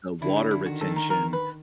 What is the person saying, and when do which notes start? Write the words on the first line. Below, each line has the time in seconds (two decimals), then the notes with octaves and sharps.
the water retention,
0.21 D3 E4
0.36 E4
0.51 E4
0.66 D#3 F#4
0.81 A4
0.96 A#4
1.10 A#4
1.33 B4